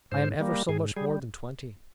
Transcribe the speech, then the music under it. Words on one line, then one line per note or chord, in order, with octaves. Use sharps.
I am ever so much more than twenty.
G#2 C5
G3 A#3
G#2 G#4
G3 G#4